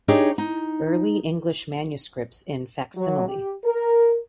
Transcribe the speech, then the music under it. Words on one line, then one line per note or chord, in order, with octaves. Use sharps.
Early English Manuscripts in Facsimile.
D4 D#4 G4 G#4 C#5 D#5
D#4
F#3
G4
A#4